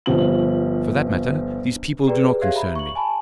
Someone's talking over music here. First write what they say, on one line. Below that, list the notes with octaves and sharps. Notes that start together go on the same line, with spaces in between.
For that matter, these people do not concern me.
G1 F3 F#7
G4 G#4 B4 D5 G5 A#5
G4 G#4 C#5 E5 F5 G#6
E5 A#5 B5
C#6 F#7
G#5 A5 B5